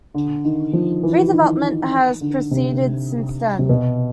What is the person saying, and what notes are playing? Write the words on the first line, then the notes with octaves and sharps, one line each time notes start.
Redevelopment has proceeded since then.
D3
D#3
F3
E3
D#3
D3
C3
C3
B2